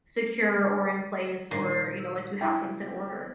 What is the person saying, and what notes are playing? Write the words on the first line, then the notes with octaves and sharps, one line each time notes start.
secure, or in place or, you know, like you have things in order.
A#2 D#3 G3 D#4 C7
E6
E4 G5